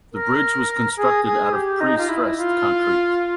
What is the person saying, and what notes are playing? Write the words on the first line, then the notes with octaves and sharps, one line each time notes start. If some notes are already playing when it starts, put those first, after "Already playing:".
The bridge was constructed out of pre-stressed concrete.
A#4
G#4
G#4
G4
D#4
F4
E4
F4